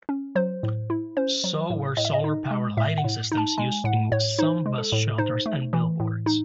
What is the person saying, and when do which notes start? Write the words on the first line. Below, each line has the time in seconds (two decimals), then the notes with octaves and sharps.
So were solar-powered lighting systems used in some bus shelters and billboards.
0.09 C#4
0.35 F#3 C5
0.63 A2
0.90 E4
1.17 C#4 C5
1.44 F#3
1.70 A2
1.97 A2 D#5
2.05 E5
2.13 D#5
2.24 D#4
2.51 G#3
2.77 A2 E5
2.98 F#5
3.04 A2
3.32 D#4
3.37 A5
3.58 G#3 G#5
3.84 A2 F#5
4.12 A2 C#5
4.39 D#4 C5
4.66 G#3
4.78 A4
4.92 A2
5.18 D#4 C5
5.46 A3
5.73 E3
6.00 A2
6.26 D#4